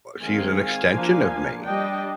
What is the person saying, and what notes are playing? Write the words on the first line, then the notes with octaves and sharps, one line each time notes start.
she's an extension of me.
D#3 G#3 C4 F5 G#5
F5 G#5
F3 A#3 D4
G3 D4 D#5 G5